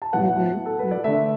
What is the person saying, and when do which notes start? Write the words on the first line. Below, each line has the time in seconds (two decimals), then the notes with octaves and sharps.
Mhm, mhm.
0.02 A5
0.13 A2 F#3 B3 F#5
0.66 A4
0.79 B4
0.91 D5
1.04 D3 A3 E5